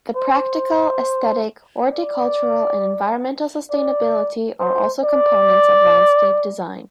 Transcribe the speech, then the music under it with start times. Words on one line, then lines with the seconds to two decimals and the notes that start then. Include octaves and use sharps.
The practical, aesthetic, horticultural, and environmental sustainability are also components of landscape design.
0.16 C5
1.93 D5
3.71 D5
4.60 C5
5.04 D5